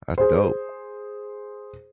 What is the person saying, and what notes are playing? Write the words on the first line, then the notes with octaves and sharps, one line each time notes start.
That's dope.
G#4 C5